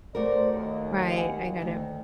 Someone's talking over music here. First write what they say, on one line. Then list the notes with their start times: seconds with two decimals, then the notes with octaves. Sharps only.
Right, I get it.
0.15 A3 F#4 A#4 C5 D5
0.52 D#2
1.17 F#5 G#5
1.60 D2 D#3